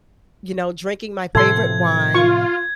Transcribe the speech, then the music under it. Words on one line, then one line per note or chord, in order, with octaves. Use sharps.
you know, drinking my favorite wine,
A2 C3 F3 A4 C6 G#6
F4 C#6